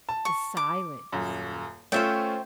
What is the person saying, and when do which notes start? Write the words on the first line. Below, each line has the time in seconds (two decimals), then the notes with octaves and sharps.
the silence.
0.09 A5
0.25 C#6
0.57 D6
1.12 D#1 F#2
1.92 A3 C#4 F4 C5 E5 G5